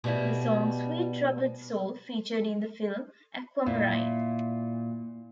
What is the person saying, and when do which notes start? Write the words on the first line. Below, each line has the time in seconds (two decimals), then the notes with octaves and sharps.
The song "Sweet Troubled Soul" featured in the film "Aquamarine".
0.04 B2 G3 E4
3.66 A#2 E4